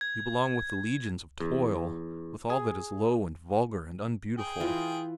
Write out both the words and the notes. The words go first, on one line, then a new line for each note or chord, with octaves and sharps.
You belong with the legions of toil, with all that is low, and vulgar, and unbeautiful.
G#6
E2
G#4
G#4 G5
E3 F4